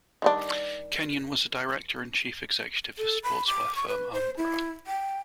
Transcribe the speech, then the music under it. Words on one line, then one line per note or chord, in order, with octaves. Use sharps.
Kenyon was a director and chief executive of sportswear firm Umbro.
D#3 G3 D4
A4
B5
D6
C#6
B4
C5
E4
G5